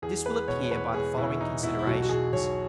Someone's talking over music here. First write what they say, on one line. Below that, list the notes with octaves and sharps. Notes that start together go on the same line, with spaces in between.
This will appear by the following Considerations.
E2 G#4
G#3 B4
B2 C#5
C#5
E2 B4
G#3 G#4
B2 E4
E2 D#4
B2 E4
E4
B1 F#4
F#4
B1 G#4
B1 C#5